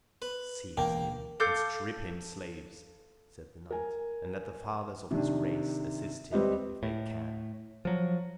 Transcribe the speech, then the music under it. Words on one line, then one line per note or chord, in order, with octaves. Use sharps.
"Seize him and strip him, slaves," said the knight, "and let the fathers of his race assist him if they can."
B4
E1 A#3 G5
A4 F5 D6 G6
A#4 G#5
C3 D#3 D4
G3 C4 G4 B4 D#5
A2
F3 F#3